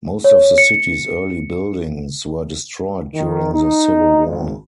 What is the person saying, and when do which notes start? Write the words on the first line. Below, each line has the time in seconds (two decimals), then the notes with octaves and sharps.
Most of the city's early buildings were destroyed during the Civil War.
0.24 C#5
0.58 C#7
3.14 D#3
3.54 D#4
4.26 G#1